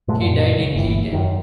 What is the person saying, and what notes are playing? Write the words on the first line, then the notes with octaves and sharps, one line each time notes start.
He died in Leiden.
A#2 G#3 A3
F#2 A#2
C#2
G1 E3
F#2 D#3